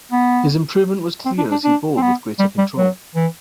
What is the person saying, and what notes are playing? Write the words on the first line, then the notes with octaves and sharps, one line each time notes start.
His improvement was clear as he bowled with greater control.
B3
C4
D4
D4
D4
C4
B3
G3
G3
F#3
E3